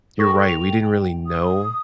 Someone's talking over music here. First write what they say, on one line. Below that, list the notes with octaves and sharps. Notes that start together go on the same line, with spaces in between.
you're right, we didn't really know
A4 G5 C#6 A#6
F7
D#6